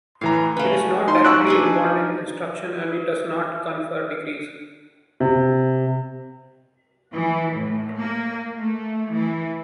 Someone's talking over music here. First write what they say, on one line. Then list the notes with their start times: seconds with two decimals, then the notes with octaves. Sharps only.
It is not directly involved in instruction and it does not confer degrees.
0.21 A2 E3 F5 A#5
0.57 A3 C#4 B4 F5
1.08 D#4 C6
1.24 C#4 D5 C#6 E6 F#6
1.47 D4 G#4 B4
5.20 C3
7.12 E3
7.55 A2
7.99 A#3
8.56 A3
9.14 E3